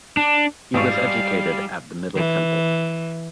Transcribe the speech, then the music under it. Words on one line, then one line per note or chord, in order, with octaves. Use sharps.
He was educated at the Middle Temple.
D4
G#1 G3 F5 C#6
E3